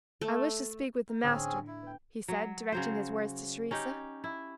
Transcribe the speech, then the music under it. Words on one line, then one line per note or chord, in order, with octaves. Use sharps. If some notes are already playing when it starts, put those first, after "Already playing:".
"I wish to speak with the Master," he said--directing his words to Teresa.
A3
F5 A#5
A2 D3 C4 C#4 G#4
E4
B3 G5
F#3
C#3 F#3 C5
C#4 D#4 G4
E4